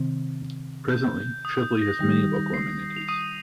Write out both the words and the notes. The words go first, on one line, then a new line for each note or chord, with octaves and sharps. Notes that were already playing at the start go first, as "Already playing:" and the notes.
Presently, Cheveley has many local amenities.
Already playing: C3 D#3 C4
G6
D#6
G6
A#6
D#3 G3 D#4 G4
C7
F7
D#6 D#7